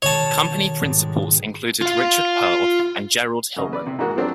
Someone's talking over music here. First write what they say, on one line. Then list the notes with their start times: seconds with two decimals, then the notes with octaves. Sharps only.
Company principals included Richard Perle and Gerald Hillman.
0.02 B1 D#3 C#5 A5
0.83 G#2 G3 G#3
1.81 F4 F5
3.56 F#2 C#3 D#5
3.73 B4 D5
3.87 C3
3.99 G#2 D#3 E3 G#3 A#3 F#4
4.17 F3 F#3 B3 C4 D4